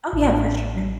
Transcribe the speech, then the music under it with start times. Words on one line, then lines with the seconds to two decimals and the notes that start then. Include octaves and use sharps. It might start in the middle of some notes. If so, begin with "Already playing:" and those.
Oh, yeah, for sure.
0.13 A1